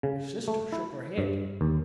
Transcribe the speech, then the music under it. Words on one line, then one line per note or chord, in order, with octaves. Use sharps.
My sister shook her head.
C#3
A3
E4
G2
D#2